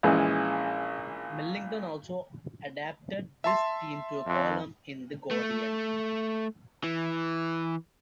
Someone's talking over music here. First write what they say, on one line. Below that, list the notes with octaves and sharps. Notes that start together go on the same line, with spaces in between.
Millington also adapted this theme to a column in "The Guardian".
A#1 E3 G#3 C#4
E5 A5 C6
F2
A3
E3